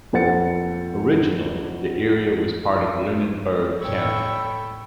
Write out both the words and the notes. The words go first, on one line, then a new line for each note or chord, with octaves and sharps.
Originally the area was part of Lunenburg County.
F2 A4 C5 F#5 A6 C#7
A2 A4 C#5 G5 B5 E6